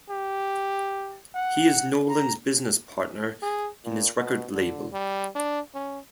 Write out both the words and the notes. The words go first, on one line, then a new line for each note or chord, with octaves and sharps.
He is Nolan's business partner in his record label.
G4
F#5
A#5
G#4
A#2
B2
D3
G3
D4
C#4